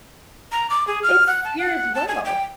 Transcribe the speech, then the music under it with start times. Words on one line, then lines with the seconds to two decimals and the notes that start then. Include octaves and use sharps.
It's fear as well.
0.52 A#5
0.70 D6
0.87 G#4
1.03 F6
1.27 F#5
1.44 A5
1.59 F#5
1.95 A5
2.08 G#5
2.25 G5